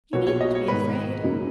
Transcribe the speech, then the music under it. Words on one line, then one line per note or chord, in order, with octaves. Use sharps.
You needn't be afraid.
B1 A#2 F#3 B3 F#4 C#5
C#5
D#5
C#5
G#2 D#3 G#3 B3 B4
F#2 C#3 F#3 A#3 D#4